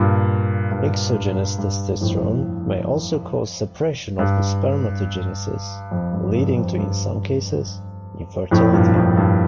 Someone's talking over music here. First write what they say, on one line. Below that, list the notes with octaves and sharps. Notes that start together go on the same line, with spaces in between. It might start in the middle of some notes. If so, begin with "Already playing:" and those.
Exogenous testosterone may also cause suppression of spermatogenesis, leading to, in some cases, infertility.
Already playing: G2 A#2
G2
G2
G2
F2 A2
G2
F2
G2
G2
F2
G2
F2 A2
G2 A#2
F2 A2
G2